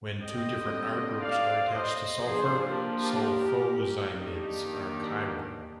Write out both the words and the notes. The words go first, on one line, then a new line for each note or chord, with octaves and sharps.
When two different R groups are attached to sulfur, sulfoximides are chiral.
D3 G3 C4 D#5 G5
D5 F5
C5 D#5
F3 A#3 D4 G#4 C5
G4 A#4
D#3 A#3 D4 D#4 G4